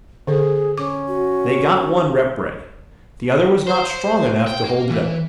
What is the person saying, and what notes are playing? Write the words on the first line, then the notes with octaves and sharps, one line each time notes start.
They got one rep ray. The other was not strong enough to hold it up.
D3 G#4 A4
C#4 D6
F#4
C5
G5
A#3
E3